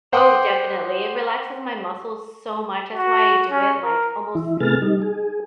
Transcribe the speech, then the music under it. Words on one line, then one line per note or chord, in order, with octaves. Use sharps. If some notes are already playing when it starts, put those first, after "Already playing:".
Oh, definitely it relaxes my muscles so much that's why I do it like almost
C5 F#5 G5 C6 D6 D#6
F#4
C#4
A#4
E3 E4
C3 A3 B3 G#4 F6 A6
G3 D#4
G#4